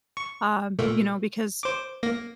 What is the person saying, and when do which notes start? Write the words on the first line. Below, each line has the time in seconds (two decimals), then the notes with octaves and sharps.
um, you know, because,
0.17 C#6
0.79 A#2 A3 A#3
1.63 C5 D6
2.03 A#3 A#6